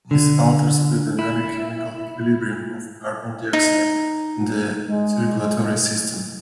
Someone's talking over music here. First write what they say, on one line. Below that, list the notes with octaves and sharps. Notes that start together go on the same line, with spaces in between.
This alters the dynamic chemical equilibrium of carbon dioxide in the circulatory system.
D3
E4
D#4
G#3